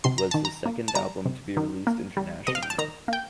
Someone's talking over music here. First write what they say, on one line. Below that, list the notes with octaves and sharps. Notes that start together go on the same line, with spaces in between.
It was his second album to be released internationally.
C3 C6
A#5
D#3 A5
A#5
A#3
A5
G3 A#5
C3
D#3
A#3
G3
C3 D#5
F5
G5
A5
D#3 A#5
A#3 G5